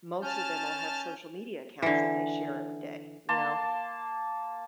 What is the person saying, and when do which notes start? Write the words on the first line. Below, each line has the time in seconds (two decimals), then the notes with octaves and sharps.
most of them all have social media accounts that they share every day, you know?
0.22 C#4 A5 F6 G6
1.82 D3 E3
3.29 A#3 A5 C6